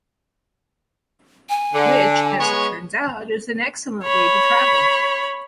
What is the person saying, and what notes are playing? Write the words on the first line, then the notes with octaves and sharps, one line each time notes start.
Which, as it turns out, is an excellent way to travel.
G#5
D3
G#3 B3 C#5
C#5 B5